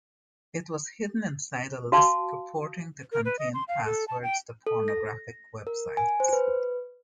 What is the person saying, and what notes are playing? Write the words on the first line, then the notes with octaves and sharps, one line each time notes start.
It was hidden inside a list purporting to contain passwords to pornographic websites.
F#4 F5 A5
A#4
B4
D#5
C6
F5
A4
A5
G5
A4
A#6
A#4
G#5
C5
B4